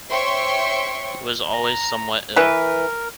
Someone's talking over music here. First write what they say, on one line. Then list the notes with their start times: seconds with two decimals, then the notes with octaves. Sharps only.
He was always somewhat ill.
0.10 C5 C#5 E5 G5 C6 C#6
1.53 A#5
2.36 E3 A#4 B4